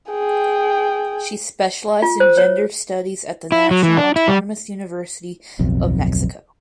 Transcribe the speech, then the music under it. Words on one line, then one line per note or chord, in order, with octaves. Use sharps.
She specialized in gender studies at the National Autonomous University of Mexico.
G#4 G5
F4
C5
C#5
E4
F#3
E3
D4
E4
G3
D1 B1 F2